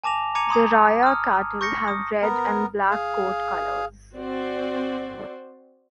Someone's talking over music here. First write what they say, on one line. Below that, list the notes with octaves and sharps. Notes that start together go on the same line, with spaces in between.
The Raya cattle have red and black coat colours.
G#5 A5 D6 A#6 F7
A#5 D6 G#6 C#7 D#7 F7
A#5 C6 D#6 G#6
D#6 F6
C#6 G6 A#6 C#7
D#6
B3 A#4
G#4 F5
C4 F#4 C5 D5